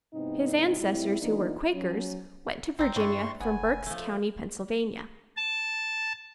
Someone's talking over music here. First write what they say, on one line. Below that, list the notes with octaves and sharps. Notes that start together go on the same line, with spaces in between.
His ancestors, who were Quakers, went to Virginia from Berks County, Pennsylvania.
G#2 C3 B3 C4 D#4 E4
A2 G3 C4 E4
E3 A#3 B3 D4 D#4 F4
F#3 C#4
G#1 C4 C5 A#5
G2 G3 D4 E4 C6 C#6
F1 B3 G#5
F3 A3
A5